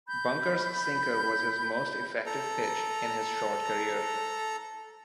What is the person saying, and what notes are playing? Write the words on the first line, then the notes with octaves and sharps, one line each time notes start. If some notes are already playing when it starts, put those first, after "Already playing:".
Bunker's sinker was his most effective pitch in his short career.
B5 G6
A4 A#5